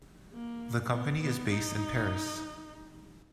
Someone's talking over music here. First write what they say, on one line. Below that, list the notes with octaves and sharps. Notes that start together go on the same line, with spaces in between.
The company is based in Paris.
A#3
B3
B3
D#4